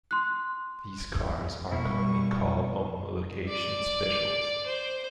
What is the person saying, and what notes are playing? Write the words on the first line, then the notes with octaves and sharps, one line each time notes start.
These cars are commonly called "homologation specials".
C6 F#6
B2 G3 A#3 E4 C#6
D5
C5